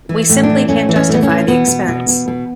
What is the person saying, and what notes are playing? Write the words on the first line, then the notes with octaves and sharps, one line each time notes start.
We simply can't justify the expense.
E3
A2
D4
E3
A2 C#4
E3
C#4
A2 B3
C#4
E3
B2 B3
B2
B2
B2
B2